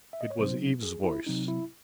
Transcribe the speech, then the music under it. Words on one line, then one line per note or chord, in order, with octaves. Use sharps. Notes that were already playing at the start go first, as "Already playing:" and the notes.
It was Eve's voice.
E5
D#5
C#5
C3 F#3 C4 D#4 C5
G#4
E4
C3 F#3 C4 D#4
E4